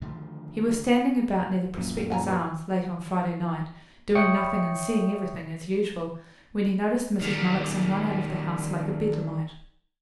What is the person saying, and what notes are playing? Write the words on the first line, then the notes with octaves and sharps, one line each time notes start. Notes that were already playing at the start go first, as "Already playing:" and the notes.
He was standing about near the Prospectors' Arms, late on Friday night, doing nothing and seeing everything, as usual, when he noticed Mrs. Mullockson run out of the house like a Bedlamite.
D3 D#3 F3 A3
F#2 A#2
G3
F#5 G#5 A#5
B4 C#5
C#5 E5 G5 C#6 D#6 C#7
D#3 G3